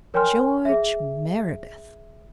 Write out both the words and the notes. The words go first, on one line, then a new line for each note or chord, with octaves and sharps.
George Meredith?
A#4 C#5 G5 G#5 C6 F6
G#4 E5